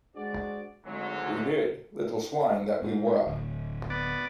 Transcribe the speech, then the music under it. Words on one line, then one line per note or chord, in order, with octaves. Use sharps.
We did, little swine that we were.
G#3 D4 F#4 G#4 C5 D5
G#1 D2 G#2 F#3
G#2
D1
B3 D5